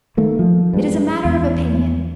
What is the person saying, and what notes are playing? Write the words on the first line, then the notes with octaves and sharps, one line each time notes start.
It is a matter of opinion.
D#3 A3 A#3
F3
G2 G#3
E2